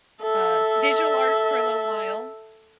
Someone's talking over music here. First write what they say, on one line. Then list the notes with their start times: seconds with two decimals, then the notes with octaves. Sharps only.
uh, digital art for a little while.
0.21 A4 E5